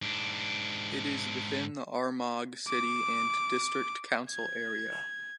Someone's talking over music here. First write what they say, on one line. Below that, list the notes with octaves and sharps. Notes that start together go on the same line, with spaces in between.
It is within the Armagh City and District Council area.
G#2 D4
D6
G#6